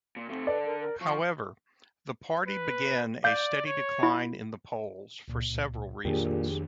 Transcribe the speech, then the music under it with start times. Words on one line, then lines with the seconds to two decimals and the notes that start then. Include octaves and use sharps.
However, the party began a steady decline in the polls for several reasons.
0.16 A#2
0.29 C3 A3
0.47 D3 A4 B4 D5
0.66 A#4
0.81 A#4
1.01 F3 C#6
2.47 B4
3.24 D5 F5 G6
3.66 C#5
4.03 E4
5.28 C#2 A#2
6.05 F2 A#2 D#3 D4 G4 G#4